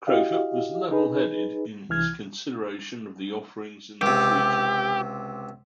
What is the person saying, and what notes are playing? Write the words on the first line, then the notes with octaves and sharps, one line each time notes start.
Crowfoot was levelheaded in his consideration of the offerings in the treaty.
E4 F#4 G4 D#5 F5
D#4 G#4 B4
C2 E3 F6 G#6
C#2 C3 G4